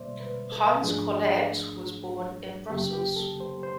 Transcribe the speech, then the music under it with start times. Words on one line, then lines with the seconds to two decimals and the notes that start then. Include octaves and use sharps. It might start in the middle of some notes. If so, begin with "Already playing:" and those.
Hans Collaert was born in Brussels.
Already playing: B2 G3 A#3 C5 D5 E5
0.20 B4
0.52 A4
0.83 G#2 F3 A3 D4 G#4
2.70 F#2 C#3 F#3 A#3 G4
2.93 G4
3.16 A4
3.40 C5
3.63 C5